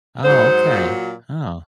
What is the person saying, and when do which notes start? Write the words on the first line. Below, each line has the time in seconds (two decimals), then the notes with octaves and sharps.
Oh, okay. Oh,
0.24 G#2 F#3 G#4 C5
0.70 A#2 F#3